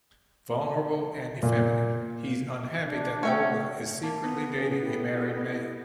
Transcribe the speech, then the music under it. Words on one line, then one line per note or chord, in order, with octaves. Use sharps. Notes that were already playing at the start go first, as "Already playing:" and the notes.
Vulnerable and effeminate, he's unhappy that Olga is secretly dating a married man.
A#2
D4
A3 C#4 F#4 E5 F#5 G5
A#3 A5
B3
B3 C#4 G#4
E4 G4 A4